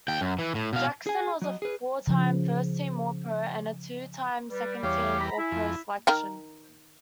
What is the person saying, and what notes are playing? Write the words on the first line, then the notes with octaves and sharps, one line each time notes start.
Jackson was a four-time first-team All-Pro and a two-time second-team All-Pro selection.
D#2 G5
F#2
E3
A2
B2 F5
G#4 G#5
F#3 D#5
G#4 B4
C#3 F3
G3 B4
E2 G3 C#5 F5 D6
A#5 B5
E4 E5 G#5
F2
D#3 A#4 G5